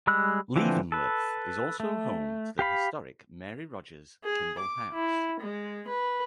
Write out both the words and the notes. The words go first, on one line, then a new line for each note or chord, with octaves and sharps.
Leavenworth is also home to the historic Mary Rogers Kimball House.
G3 G#3 B5 E6 F#6
D3 E3 F3 C4
A4 B4
A3
G4 F5 B5
G#4
D6
E4
G#3
B4